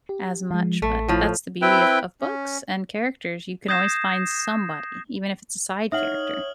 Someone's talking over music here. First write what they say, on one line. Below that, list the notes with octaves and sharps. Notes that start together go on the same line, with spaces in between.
as much, but that's the beauty of of books and characters, you can always find somebody, even if it's a side character,
G4
F3 G#3
A1 A3
A2 F3
C4 E4 B4 G5
C#4
D#6 G6 G#6 A#6 C7 E7
D#4 C#5 E5 F#5 D#6 F6 F#7